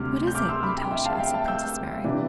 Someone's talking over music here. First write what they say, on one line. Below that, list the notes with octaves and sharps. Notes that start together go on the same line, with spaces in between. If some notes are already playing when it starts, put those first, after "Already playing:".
"What is it, Natasha?" said Princess Mary.
Already playing: D2 C3 G3 D6 F6
G6
D6 F6
C6 E6
B5 D6
G5 B5
E5 G5
F5 A5
E5 G5
F5 A5
E6 G6
C3 E3 G3 D4